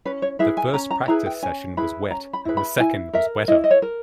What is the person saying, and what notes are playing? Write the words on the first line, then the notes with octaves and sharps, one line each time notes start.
The first practice session was wet, and the second was wetter.
C#4 B4
C#5
E4 G#4 B4 E5
G#5
C#4 A#5
A#5
E4 G#4 B4 A#5
G5
C#4 G#5
E4 G#4 B4 B5
C#4 A#5
B5
E4 G#4 B4
B5
E4 G#5
A#4 E5
E4 D#5
D#5
C#5
A#4